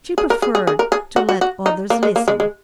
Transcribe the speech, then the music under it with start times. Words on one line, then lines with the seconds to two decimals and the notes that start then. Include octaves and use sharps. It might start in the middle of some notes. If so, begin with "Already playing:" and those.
She preferred to let others listen.
0.18 G#4
0.30 A#4
0.42 G#4
0.55 G#4
0.67 G#4
0.79 A#4
0.92 G#4
1.16 F#4
1.29 F#4
1.41 F#4
1.66 D#4
1.90 A#3
2.03 G#3
2.16 A#3
2.28 G#3
2.40 G#3